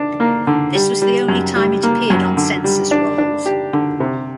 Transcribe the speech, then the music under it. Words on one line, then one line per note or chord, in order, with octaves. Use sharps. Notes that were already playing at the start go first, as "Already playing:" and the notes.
This was the only time it appeared on census rolls.
Already playing: D4
A#3
D3
G3
G3
F#2
G3
A#3
F#2
D3
G3
D4
D4
G4
D3
C3